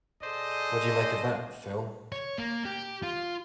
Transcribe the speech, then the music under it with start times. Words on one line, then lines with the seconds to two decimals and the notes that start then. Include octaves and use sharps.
What do you make of that, Phil?
0.22 G#4 A4 C5 D5 D#5
2.12 C#5
2.38 A#3
2.65 G4
3.03 F4